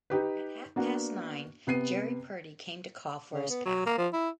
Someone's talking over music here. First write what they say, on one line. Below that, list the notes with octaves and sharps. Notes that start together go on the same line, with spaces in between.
At half-past nine Jerry Purdy came to call for his pal.
D#4 G4 B4
A#3 B3 D4 F#4
C3 B3 C7 D#7
C#3
B3
F#3
A#3
F3
E4